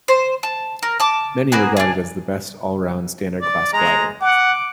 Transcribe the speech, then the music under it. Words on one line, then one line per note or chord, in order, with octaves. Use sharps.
Many regard it as the best all-round standard class glider.
C5
A5
A#4
A5 D6
A#3 B3 F#4 G#4
D4 G#4
D5
G#3 A#5
F#5 D6